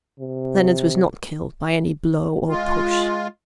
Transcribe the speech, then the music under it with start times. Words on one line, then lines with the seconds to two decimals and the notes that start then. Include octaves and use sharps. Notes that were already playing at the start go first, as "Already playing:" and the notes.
'Leonards was not killed by any blow or push.'
0.20 C3
2.48 G#3 F4